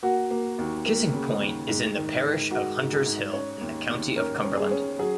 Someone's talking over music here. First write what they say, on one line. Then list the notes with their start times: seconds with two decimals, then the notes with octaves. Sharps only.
Kissing Point is in the Parish of Hunters Hill in the County of Cumberland.
0.03 A#3 F#4
0.31 A#3
0.58 D#2
0.86 A#3
1.13 C#3
1.40 D#2
1.68 G#2
1.96 D#3
2.23 G#2
2.51 G#2 F#4
2.79 G#2
2.93 G#4
3.06 G#2
3.33 C#4 C#5
3.61 D#2
3.89 D#2
4.16 C#4 A#4
4.44 C#4
4.57 G#4
4.71 C#4
4.99 F#3 G#4